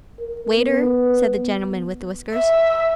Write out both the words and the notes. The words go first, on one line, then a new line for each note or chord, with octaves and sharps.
'Waiter,' said the gentleman with the whiskers.
A#4
B3
E5